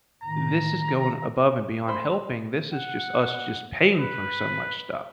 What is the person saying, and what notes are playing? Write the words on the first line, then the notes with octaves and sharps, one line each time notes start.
this is going above and beyond helping, this is just us just paying for so much stuff."
A2 D#3 A#5
C5 B5 C6
F#5
B4